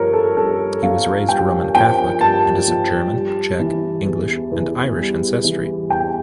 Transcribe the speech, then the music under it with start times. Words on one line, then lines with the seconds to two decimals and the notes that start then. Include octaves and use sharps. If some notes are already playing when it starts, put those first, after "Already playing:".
He was raised Roman Catholic, and is of German, Czech, English, and Irish ancestry.
Already playing: G2 F3 A#4 C#5
0.13 A4
0.37 G2 A4
0.83 F3 F5
1.29 G2 G5
1.75 F3 G5
2.21 G2 A5
2.67 F3
3.13 G3
3.59 E3
4.05 E2
4.51 E2
4.98 G3
5.44 E3
5.90 E2 G5